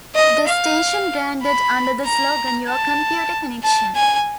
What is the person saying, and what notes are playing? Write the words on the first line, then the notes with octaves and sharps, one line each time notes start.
The station branded under the slogan "Your Computer Connection".
D#5
F5
B5
A#5
A5
A5
G#5